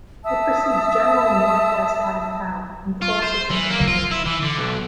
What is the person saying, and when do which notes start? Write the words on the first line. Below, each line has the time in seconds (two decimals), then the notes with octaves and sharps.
It proceeds generally northwest out of town and crosses into Bennington.
0.24 E5 A5 D#6 E6
3.02 F4
3.23 C5
3.51 E3
3.70 A#3
3.88 F4
4.12 E4
4.26 E3
4.43 D3
4.58 B1